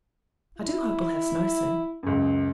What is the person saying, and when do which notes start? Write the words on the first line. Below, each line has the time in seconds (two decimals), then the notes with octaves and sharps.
I do hope we'll have snow soon.
0.58 E4
2.03 C#2 F#2